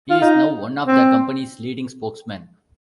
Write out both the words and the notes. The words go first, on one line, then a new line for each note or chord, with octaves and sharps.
He is now one of the company's leading spokesmen.
F4
D#4
C4